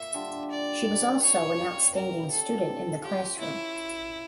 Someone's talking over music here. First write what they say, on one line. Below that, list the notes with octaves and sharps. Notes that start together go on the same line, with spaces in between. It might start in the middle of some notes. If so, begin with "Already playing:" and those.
She was also an outstanding student in the classroom.
Already playing: A#2 A#3 E5
D3 G3 D4 F4
D5
C#5
C#3 G3 A#3
A#4
A4
F3 C#4 F4 G4
E4